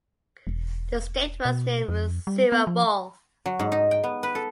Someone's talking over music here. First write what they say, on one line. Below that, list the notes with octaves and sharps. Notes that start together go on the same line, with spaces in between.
The state was named Seorabeol.
E1
B2
F2
G3
B3
F3
F#3
G#2
D#4
G5
B3
B4
A4